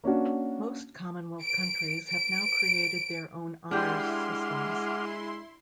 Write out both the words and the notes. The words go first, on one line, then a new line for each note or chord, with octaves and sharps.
Most Commonwealth countries have now created their own honours systems.
A#3 C#4 D4 F#4
D7
D7
G#3 D4 E4 G4 F#5 C6 D6 F6